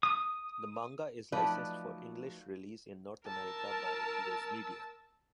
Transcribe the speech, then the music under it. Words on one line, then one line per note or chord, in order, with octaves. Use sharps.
The manga is licensed for English release in North America by Viz Media.
D#6
F3 F#3 A3 D#4 B4 D5
A#4 A5 E6